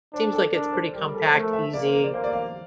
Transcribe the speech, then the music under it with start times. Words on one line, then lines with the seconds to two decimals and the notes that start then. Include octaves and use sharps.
seems like it's pretty compact, easy,
0.13 D4 C5
0.33 A4
0.53 D4 A#4
0.73 C5
0.93 G3 A#4
1.14 A4
1.24 C5
1.33 A3 A#4
1.53 E5
1.73 A#3 D5
1.84 C5
1.93 A#4
2.04 D5
2.13 A#3 C5
2.24 D5
2.33 F5